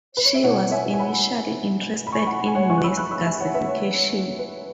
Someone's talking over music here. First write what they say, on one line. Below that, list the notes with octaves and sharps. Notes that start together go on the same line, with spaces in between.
She was initially interested in waste gasification.
B4
C#5
E5
B2 G#3 E4 C#5 F#5
E5 G#5
G#5
F#5 B5
B5
G#5 C#6
F#5 B5
G#5
C#5 F#5
C#3 G#3 E4 G#5 C#6
F#6
B5 E6
C#6 F#6
B5 E6
E5 G#5
C#5 F#5
B4 E5
C#5
B4